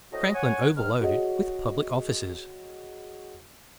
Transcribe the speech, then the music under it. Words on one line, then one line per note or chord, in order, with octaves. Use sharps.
Franklin overloaded with public Offices.
F2 A2 F#4 D#5
C#5 F#5 G#5
G#2 D#3 F#3 F6
F#4 G#4 C#5 D#5